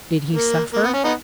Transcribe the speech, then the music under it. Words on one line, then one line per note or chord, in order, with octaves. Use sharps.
Did he suffer?
A#3
A#3
B3
C#4
B3 D#4